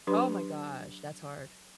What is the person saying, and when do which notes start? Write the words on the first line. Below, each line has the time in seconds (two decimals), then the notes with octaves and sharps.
Oh my gosh. That's hard.
0.07 F#3 D4 G4 B4 C6